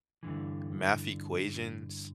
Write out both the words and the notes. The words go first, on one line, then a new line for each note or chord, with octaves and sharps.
math equations
G2 D3 E3